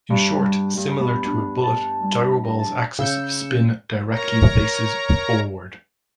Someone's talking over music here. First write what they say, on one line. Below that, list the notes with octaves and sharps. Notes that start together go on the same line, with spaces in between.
In short, similar to a bullet, gyroball's axis of spin directly faces forward.
G2
G3
G2
B3
D4
A5
G3
A#5
A5
C#3 E6 G6 C#7
A#4 C#5 A#5